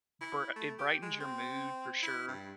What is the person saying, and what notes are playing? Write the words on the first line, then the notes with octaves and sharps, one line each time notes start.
bri it brightens your mood for sure
E4
A3
G4
G#3
C4
E4
G2